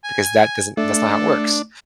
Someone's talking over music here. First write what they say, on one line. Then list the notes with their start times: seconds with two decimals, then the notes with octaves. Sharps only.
because that doesn't that's not how it works.
0.04 G#5
0.77 A3 D4 A4